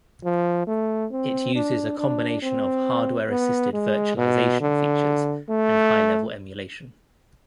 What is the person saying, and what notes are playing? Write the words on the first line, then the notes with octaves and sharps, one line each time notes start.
It uses a combination of hardware-assisted virtualization features and high-level emulation.
F3
A3
C4
D4
D4
C4
B3
G#3
B2
D3
A3